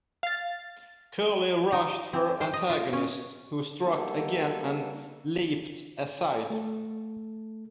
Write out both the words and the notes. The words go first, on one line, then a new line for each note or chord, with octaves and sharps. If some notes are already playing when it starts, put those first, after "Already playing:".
Curly rushed her antagonist, who struck again and leaped aside.
F5 A6
D#4
C4
C5
D#5
F4
C#4
G3 A#3 B3 D#4 A4
A3 A4